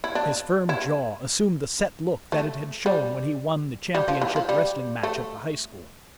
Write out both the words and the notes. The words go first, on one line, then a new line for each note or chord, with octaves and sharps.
His firm jaw assumed the set look that it had shown when he won the championship wrestling match at the high school.
E4
D4
E4
A3
G3
G3
F3
E3
F3
G3
A3